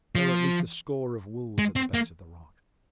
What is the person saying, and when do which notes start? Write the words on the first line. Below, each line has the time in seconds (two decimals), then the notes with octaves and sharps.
There were at least a score of wolves at the base of the rock.
0.15 F3
1.58 G#3
1.76 C4
1.94 A#3